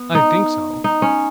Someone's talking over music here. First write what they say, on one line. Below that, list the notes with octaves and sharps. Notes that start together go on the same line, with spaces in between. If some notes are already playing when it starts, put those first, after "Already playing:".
"I think so."
Already playing: B3
D#4
D#4
C#4